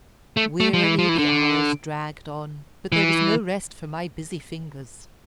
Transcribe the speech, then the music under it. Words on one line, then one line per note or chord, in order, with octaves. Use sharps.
Wearily the hours dragged on, but there was no rest for my busy fingers.
A3
A3
F3
E3
F3
E3
D3
E3